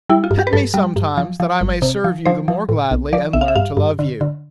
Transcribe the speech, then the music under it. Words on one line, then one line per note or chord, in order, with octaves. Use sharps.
Pet me sometimes, that I may serve you the more gladly and learn to love you.
G3 E4
F4
G2
G4
B4
G2 A4
G3
G2
F3
F3
G1
C3
F3
F3 C5
F3
A2
B1
F3 D5
B1 E5
F5
E5
G2 F5
G2
D3
D3